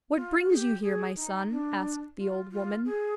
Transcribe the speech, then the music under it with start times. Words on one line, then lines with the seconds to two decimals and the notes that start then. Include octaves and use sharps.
'What brings you here, my son?' asked the old woman.
0.15 F4
0.49 G#4
0.54 G4
0.82 G#4
1.16 D#4
1.50 D4
2.18 F4
2.52 F4
2.85 G#4